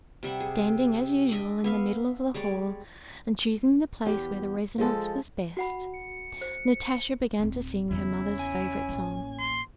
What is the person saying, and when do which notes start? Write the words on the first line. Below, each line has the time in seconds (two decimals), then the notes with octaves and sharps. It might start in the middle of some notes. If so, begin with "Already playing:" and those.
Standing as usual in the middle of the hall and choosing the place where the resonance was best, Natasha began to sing her mother's favorite song.
0.23 C3 G3 E5 F#5
0.40 G#4
1.32 D4 D#5 E5
1.64 B3 E5 F5
2.34 G3 G#3 C#5 D5
4.05 E2 G4
4.78 F3 G#3 A4
5.57 F#4 F#5 B5
5.94 C#7
6.41 C5
7.40 D1 C4
7.91 E2 C#3 C#4 E4
8.39 G#5
8.89 A1 A#3
9.39 C6